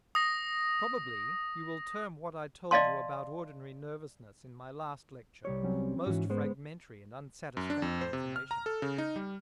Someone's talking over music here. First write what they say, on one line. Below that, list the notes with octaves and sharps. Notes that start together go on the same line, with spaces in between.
Probably you will term what I told you about ordinary nervousness in my last lecture most fragmentary and unsatisfactory information.
D#6 A#6
D5 D#5 F5 A5 C6
C2 G3 C#5
F#3 C4 C#4
G#2 E3 C#4 F#4
G#3 B3 C5
F#2
D4
F2
C5
C3
F6
A#5
A4
C#3
D#4
G3